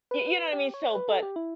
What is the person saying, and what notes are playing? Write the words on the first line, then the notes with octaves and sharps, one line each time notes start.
Y you know what I mean? So but
B4
G4
C#5
B4
A4
G4
E4